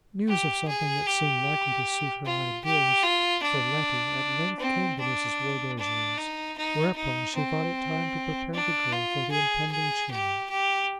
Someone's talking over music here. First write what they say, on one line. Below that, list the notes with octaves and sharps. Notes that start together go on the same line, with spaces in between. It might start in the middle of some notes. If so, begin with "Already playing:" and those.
News of something that seemed likely to suit her ideas for Letty at length came to Mrs. Wardour's ears, whereupon she thought it time to prepare the girl for the impending change.
G4
G#4
G4
F4
G4
F4
D4
C4
D4
D4
D#4
D#4
D#4
C4
D4
F4
G#4
G#4
G4
G4